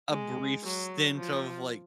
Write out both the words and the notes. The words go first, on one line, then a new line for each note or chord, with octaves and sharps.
a brief stint of, like,
G#3
F#3
F3